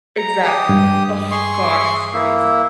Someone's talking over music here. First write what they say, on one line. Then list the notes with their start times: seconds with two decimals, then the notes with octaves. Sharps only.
Exactly. Oh gosh, it's crazy.
0.18 A#5
0.46 G4 G#5 D#6
0.69 G2
1.31 G#4 C6 C#6
2.13 A#3 E4